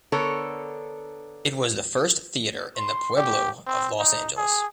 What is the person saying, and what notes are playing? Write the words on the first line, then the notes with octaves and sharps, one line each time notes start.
It was the first theater in the Pueblo of Los Angeles.
D3 B3 A4 A#4 C#5
C6
G4
C4
D#4
G#4